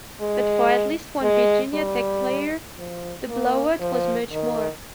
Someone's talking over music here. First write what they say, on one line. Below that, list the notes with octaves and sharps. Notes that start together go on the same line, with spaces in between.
But for at least one Virginia Tech player, the blowout was much more.
G#3
G#3
G3
F3
A#3
F3
D#3